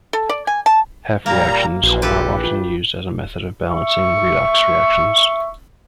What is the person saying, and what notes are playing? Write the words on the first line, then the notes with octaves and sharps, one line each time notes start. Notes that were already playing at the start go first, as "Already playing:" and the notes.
Half-reactions are often used as a method of balancing redox reactions.
A4
D5
G#5
A5
A#2 G3 A#3 A#5
A#1 E3 F#4
G4 A4 B4
F4
E5 C#6